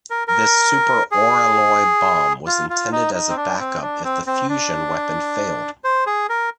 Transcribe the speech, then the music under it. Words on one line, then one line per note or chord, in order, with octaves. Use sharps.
This "Super Oralloy Bomb" was intended as a backup if the fusion weapon failed.
A#4
A#4
G#4
F4
F4
D#4
D#4
C4
D4
C4
D4
C4
C4
D4
C5
G#4
A#4